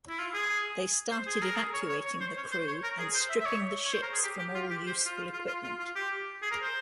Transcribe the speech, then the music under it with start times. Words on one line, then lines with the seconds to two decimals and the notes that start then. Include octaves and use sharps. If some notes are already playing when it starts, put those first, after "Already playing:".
They started evacuating the crew and stripping the ships from all useful equipment.
0.09 E4
0.19 F4
0.34 G#4
1.11 C5
1.27 G#4
1.42 A#4
1.56 G#4
1.74 C#5
1.89 C#5
2.06 C#5
2.21 C5
2.37 C#5
2.52 C5
2.68 C#5
2.84 A#4
2.99 G#4
3.15 C5
3.30 E5
3.41 E5
3.46 C#5
3.85 C#5
3.93 C5
4.02 A#4
4.13 G#4
4.24 G4
4.39 G4
4.55 F4
4.70 G4
4.86 C5
5.06 F4
5.17 F4
5.33 F4
5.48 F4
5.64 F4
5.79 F4
5.95 G4
6.42 G#4
6.52 A#4
6.62 C5